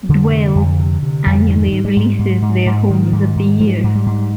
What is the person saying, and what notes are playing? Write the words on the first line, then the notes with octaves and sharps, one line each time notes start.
"Dwell" annually releases their homes of the year.
F2 D3
C3
F2
C3
C3
F2
G#2 D#3
G#2
G3
G#2
G#2
G#2
G#2
G#2 D#3
G#2
G#2
G#2 F3
G#2
G3
G#2